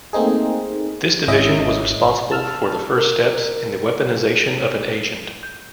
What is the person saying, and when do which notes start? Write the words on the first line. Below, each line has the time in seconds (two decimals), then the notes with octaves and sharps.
This division was responsible for the first steps in the weaponization of an agent.
0.13 A3 A#3 C4 D#4 G#4
1.28 G#1 C#4 E4 D#5 E5
2.31 A5 E6 F6
2.98 A#4
5.43 G6